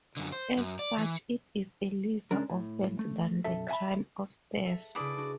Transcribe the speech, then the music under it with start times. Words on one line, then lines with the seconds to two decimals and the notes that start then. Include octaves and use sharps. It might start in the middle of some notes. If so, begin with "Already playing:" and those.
As such, it is a lesser offense than the crime of theft.
0.17 F#2 D3
0.32 C5
0.57 F#2
0.79 D5
0.98 E3
2.31 C#3 G#3 C#4 D4 A#4
2.50 A2
2.99 A3
3.44 B1 F#2 A4 E5
3.68 E5 F#5 G#5 A5 B5
4.65 A4 E5
4.95 C#3 D4 E4 G#4 B4 D5
5.18 D4 F#4